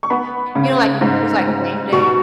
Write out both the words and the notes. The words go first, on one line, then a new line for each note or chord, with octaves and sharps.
you know, like, if it's, like, game day.
C#6
B3 B5
C#3
G#2
G#2
B2 C#6